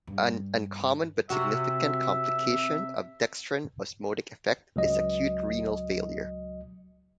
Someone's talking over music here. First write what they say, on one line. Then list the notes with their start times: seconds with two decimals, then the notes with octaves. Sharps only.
An uncommon but significant complication of dextran osmotic effect is acute renal failure.
0.07 G2
1.30 C3 F#4 E5
4.76 C#2 F#3 D#5